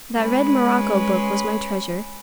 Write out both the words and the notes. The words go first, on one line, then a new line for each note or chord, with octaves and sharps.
That red morocco book was my treasure.
G#3 C#4 B4